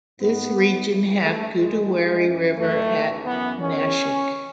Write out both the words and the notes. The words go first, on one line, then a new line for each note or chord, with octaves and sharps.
This region have Godawari river at Nashik.
G#2 D#3 B3
D#2 D#3
C#2 C#3 E3
D#2 C#3 E3 A3
F#2 D#3 G#3
D#2 C#3 E3
F#2 E3
F#2 D#3 A3
D#2 C#3 E3
F#2 E3 B3
E2 D#3 C#4